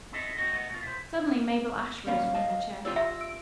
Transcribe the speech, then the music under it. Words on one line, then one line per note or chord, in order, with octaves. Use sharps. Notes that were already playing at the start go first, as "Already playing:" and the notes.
Suddenly Mabel Ashe rose from her chair.
C4 E4 A4 D#5
C4 C#4 F#4 D#5
A3 B3 D#5
B2 F4
E4 C5
G3 A#3 C#4 F5
D#5 A5
F4 G4 D5 E6
E5
D7